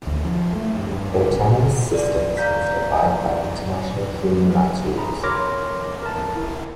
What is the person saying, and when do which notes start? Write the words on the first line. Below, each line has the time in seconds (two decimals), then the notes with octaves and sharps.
Autonomous systems must abide by international human rights rules.
0.07 D2
0.24 F3
0.56 A3
0.75 G2
0.90 G2
1.12 G2
1.30 F1
1.45 B2
1.59 F#1
1.94 D5
2.37 D5 F5 A#5 G6 B6
4.98 G#4 A#5 B5
5.23 A#4 C#5 C6 D6 F6 A#6
6.03 A#4 A5
6.36 E4